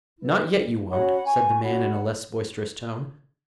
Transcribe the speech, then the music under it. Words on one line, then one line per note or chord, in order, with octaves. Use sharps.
"Not yet you won't," said the man in a less boisterous tone.
E4 B4
C#4 F#4 C#5 F#5 B5
G#5 C#6
C#6
C#4 F#4 C#5 F#5 B5